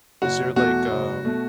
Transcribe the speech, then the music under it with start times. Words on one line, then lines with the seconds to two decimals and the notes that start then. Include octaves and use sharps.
is there like, um,
0.22 F#1 F#4
0.56 E2 B2 A3 F#4
0.91 F#1
1.25 B2 A3